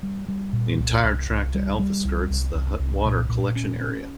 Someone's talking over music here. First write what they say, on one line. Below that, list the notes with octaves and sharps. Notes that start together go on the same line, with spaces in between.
The entire track to Alpha skirts the Hutt Water Collection Area.
G3
G3
A#2
C2
C2
C2
G3
G3
C2
C2
C2
C2
A#2
A#2
C#4
C#4